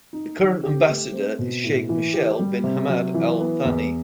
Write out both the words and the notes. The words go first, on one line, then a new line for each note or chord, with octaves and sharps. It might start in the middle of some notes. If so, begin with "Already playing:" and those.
The current ambassador is Sheikh Meshal bin Hamad Al Thani.
D#4
D#3
G4
A3
C4
B2
A2
E3
G4
G3
C3
F#3
E3
B3
E2